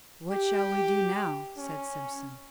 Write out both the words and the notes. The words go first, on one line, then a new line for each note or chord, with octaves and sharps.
"What shall we do now?" said Simpson.
G4
C#4